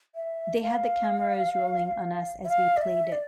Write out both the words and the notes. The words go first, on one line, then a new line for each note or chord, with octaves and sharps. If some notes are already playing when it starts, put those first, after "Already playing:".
They had the cameras rolling on us as we played it.
E5
F5
E5
F5
D5
E5
D5